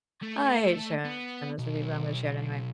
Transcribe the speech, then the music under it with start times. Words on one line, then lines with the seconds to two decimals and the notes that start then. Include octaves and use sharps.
I hate sharing this with you, but I'm gonna share it anyway.
0.22 A3
1.05 B3
1.59 B1